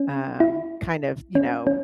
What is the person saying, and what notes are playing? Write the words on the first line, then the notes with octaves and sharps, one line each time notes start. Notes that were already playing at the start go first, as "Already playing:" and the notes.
um, kind of, you know,
Already playing: C#4
E4
C#4
C#4